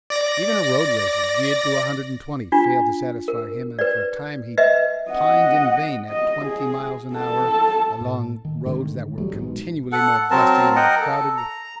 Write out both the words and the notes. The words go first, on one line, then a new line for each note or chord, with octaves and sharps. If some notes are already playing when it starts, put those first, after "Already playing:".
Even a road-racer, geared to a hundred and twenty, failed to satisfy him, and for a time he pined in vain at twenty miles an hour along roads that were continually more dusty and more crowded with mechanical traffic.
D5 A#6
D4 F4
A#4
B4 D5
B4 D#5 E5
D#5 F#5
D#5
G#4
A4 A5
A2
D#3
G#2 D3 D#3 A3
E3 F#3 G3 A3
A#1 G#2 B2
A4 F#5
F#3 C4 A#4 A5
A#4 D#5 F#5 G5
A4
A#5